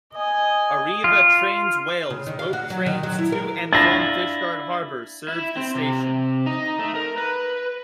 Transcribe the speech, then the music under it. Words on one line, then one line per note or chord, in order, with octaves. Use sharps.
Arriva Trains Wales boat trains to and from Fishguard Harbour serve the station.
D#5 G#5
F4
C#3
D#3
F5
F#4
F#3
D#3
F#3
E4
A#4
D4 E4 F4 A6 A#6
E4
C4
C3
D#4
A3
A#4
B4